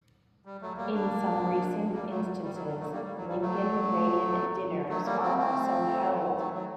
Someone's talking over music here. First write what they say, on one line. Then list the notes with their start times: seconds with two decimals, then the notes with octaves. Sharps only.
In some recent instances Lincoln-Reagan dinners are also held.
0.45 G3
0.61 F#3 A3
0.77 G3 A#3
0.94 A#3 D4
1.93 G3 A#3
2.09 F#3 A3
2.42 G3
2.55 F#3
2.67 G3
2.80 F#3 A3
2.92 G3 A#3
3.04 G3
3.17 F#3
3.29 G3
3.41 F#3 A3
4.89 F#3 A3
5.05 G3 A#3
5.22 A3 C4
5.38 A3 C4
6.37 F#3 A3
6.54 F#3